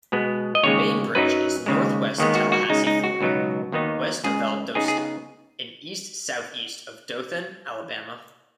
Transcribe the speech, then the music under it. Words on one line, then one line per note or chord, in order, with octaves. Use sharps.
Bainbridge is northwest of Tallahassee, Florida; west of Valdosta; and east-southeast of Dothan, Alabama.
B2 G#3 B3
D#5
D#2 C#3 G#3 C#5
F#2 F#3 D#4 B4
D#2 C#3 G#3
D#2 D#3 G#3 B3
F#4
F#4
C#3 G#3 D#4
D#4
F#4
C#2 B2 F#3 B3 D#4
D#2 D#3 B3 D#4
C#2 C#3 G#3 G#4
C#3 B3 D#4 G#4
G#4